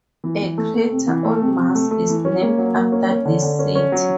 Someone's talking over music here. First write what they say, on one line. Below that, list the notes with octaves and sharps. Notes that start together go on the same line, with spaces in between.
A crater on Mars is named after this city.
E3
E3
A3
A3
C3
E3
A3
C3
C3
A3
A3
E3
C#4
A#3
F#3
A#3
C#4
C#4
D3
D3
C#4
C#4
F#3